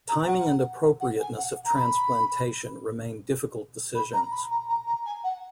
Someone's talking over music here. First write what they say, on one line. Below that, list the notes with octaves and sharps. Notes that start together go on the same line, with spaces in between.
Timing and appropriateness of transplantation remain difficult decisions.
A#5
F#5
F#5
G#5
F#5
A#5
B5
B5
A#5
B5
A#5
A#5
A#5
G#5
F#5